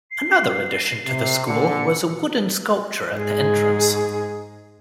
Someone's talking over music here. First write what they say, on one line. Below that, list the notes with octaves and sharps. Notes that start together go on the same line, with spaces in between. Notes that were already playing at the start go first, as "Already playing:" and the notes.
Another addition to the school was a wooden sculpture at the entrance.
C7
C3
A#2 D3 C#7
G#2 G#4